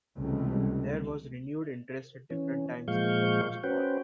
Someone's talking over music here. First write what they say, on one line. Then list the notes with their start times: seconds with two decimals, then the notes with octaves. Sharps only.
There was renewed interest at different times since the first call.
0.16 C#2 C3 E3 G3 A3
2.30 E3 C#4
2.88 A#2 F3 G#3 F5 C#6 G6
3.63 C#4 F#4 B4 C5 G5